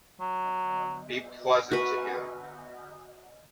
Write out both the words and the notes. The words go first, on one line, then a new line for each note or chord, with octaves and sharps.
Be pleasant to him.
F#3
F#4 B4